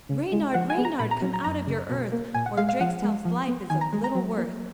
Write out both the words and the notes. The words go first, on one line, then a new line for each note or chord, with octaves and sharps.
'Reynard, Reynard, come out of your earth, Or Drakestail's life is of little worth.'
C#3
G#3
F3 F#5
G#5
B3
A#5
A#2 B5
A#5
F#3
A#5
F#2 A#5
C#3
B2
A#3
A#2 G#5
F#5
G#3 F5
F5
F3 F#5
G#3
F3
B3
D#3 G#5
A#5
G#3
A#5
F#3
A#3